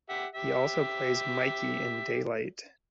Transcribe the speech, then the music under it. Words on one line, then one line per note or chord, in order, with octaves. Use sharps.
He also plays Mikey in "Daylight".
G4 E5 F#5
G4 E5